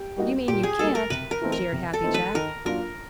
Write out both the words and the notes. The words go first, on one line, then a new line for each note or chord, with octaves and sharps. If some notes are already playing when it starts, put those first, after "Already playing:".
"You mean you can't!" jeered Happy Jack.
Already playing: G4
G3 A#3 D#4 F#4
A#2 G4
G#4
G3 A#3 D#4 F#4 A4
A#4
C3 B4
A#4
E3 A3 C4 D#4
A#4
C3
A4
E3 A3 C4 D#4
B4
D#3 A#4
F#3 A#3 D4 F4 A#4